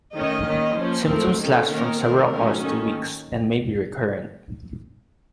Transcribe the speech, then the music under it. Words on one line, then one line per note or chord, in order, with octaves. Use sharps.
Symptoms last from several hours to weeks and may be recurrent.
D#3 A3 C#4 D#5
D#3 A#3 C#4
F3 A#3 C#4 C5
F3 A3 C4 A#4
D#3 A#3 C#4 A4
D#3 A#3 C#4 A#4
D#3 A3 C4 A#4
D#3 F#3 A3 C#4 A#4
D#3 A#3 C#4 A4